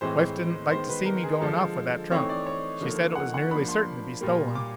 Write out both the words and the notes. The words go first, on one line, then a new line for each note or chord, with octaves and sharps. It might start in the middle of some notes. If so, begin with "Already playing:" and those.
"Wife didn't like to see me going off with that trunk--she said it was nearly certain to be stolen."
A2 E3 G#3 C4 C5
D#3 G#3 B3 C5
B4
A#4
G#4
D3 F3 G#3 A4
E3 A3 C4 D#4 C#5
D5
C#5
D3 F3 A#3 D#4
F#5
F#5
F3 A#3 D4 B5
C6
A#2 G3 A#3
D6